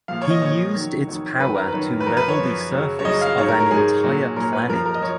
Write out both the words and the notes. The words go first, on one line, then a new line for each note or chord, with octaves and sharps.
He used its power to level the surface of an entire planet.
A#2 F3 F5
C#5
D#5
A#2 F3 C#5
F2 D#3 F#3
F2 D#3 F#3
F#2 D#3 F#3 B4
A#4
B4
F#2 D#3 F#3
B4
F#2 F3 A#4
B4
C#5
F#2 F3
F#2 C#3 F#3
C#5
F#2 C#3 F#3 D#5
F5
G#2 F#3 C#5
A#4
A#4
G#2 F#3 G#4
A#2 F#3
A#2 F#3 A#4
B4
F#2 F3 A#4
A#4
D#5
F3 C#5